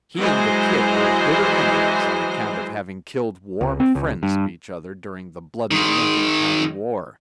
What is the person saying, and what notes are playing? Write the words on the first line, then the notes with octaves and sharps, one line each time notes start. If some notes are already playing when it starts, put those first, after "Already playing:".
He and the "Kid" were bitter enemies on account of having killed warm friends of each other during the bloody Lincoln County war.
E3 F#3 G#3 C5 D#5
C#2
C4
C#2
G2
D#3 G#3